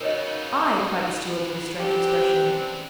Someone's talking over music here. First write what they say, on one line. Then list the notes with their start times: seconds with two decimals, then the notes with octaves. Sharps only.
"I," cried the steward with a strange expression.
0.01 C#3 F#3 A#3 B3 D#4 A#4 C#5 D#5
1.80 C4 D4 G4 D6